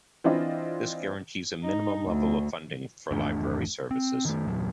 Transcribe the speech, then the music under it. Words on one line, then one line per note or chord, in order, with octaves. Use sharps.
This guarantees a minimum level of funding for Library services.
E3 C4 D4 F4 D#5
D#4
D2
G#1 E2 A3 D4
C4
D#3 A3
E2 A#2 F#3